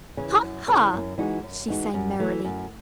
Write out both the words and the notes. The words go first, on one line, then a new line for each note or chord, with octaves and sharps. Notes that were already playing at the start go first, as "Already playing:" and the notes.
"Ha, ha!" she sang merrily.
C#3 E3
F#2
C#3 E3
F#2
E3 G#3 D#4 F#4
F#2
E3 G#3 D#4 F#4
F#2
E3 A3
F#2